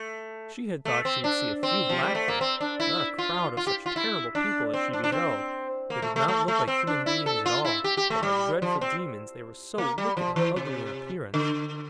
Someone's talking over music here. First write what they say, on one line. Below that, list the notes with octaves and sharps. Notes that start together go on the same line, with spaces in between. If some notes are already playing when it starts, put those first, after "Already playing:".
She had thought she would see a few Black folk, not a crowd of such terrible people as she beheld. They did not look like human beings at all, but like dreadful demons, they were so wicked and ugly in appearance.
Already playing: A3
A3
C4
D4
C4
F3
G3
A3
A#3
C4
D4
E4
F4
F4
G4
F4
E4
D4
C4
D4
D4
C4
A#3
A3
A3
A3
A3
C4
D4
E4
A4
F4
E4
G4
G4
A3
G3
F3
C4
A#3
G3
F3
E3
C3
D3